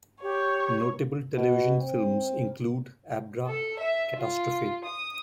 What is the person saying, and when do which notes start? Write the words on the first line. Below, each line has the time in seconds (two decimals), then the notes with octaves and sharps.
Notable television films include Abra-Catastrophe!
0.22 G4 C#5
1.34 B2
1.80 C4
3.47 A4
3.80 E5
4.17 F4
4.85 D#6